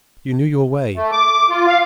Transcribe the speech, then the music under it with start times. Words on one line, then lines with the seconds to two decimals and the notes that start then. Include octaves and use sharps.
You knew your way.
0.96 A3
1.12 D6
1.49 F4
1.67 F5